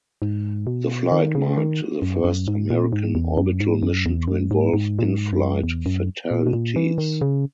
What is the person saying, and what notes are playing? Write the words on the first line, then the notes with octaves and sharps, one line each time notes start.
The flight marked the first American orbital mission to involve in-flight fatalities.
G#2
B2
D#3
C#3
D#3
F#2
F#2
G#2
A#2
G#2
E2
F#2
G#2
F#2
E2
F#2
G#2
G#2
A#2
G#2
F#2
E2
F#2
A#2
B2
A#2
E3
D#3
C#3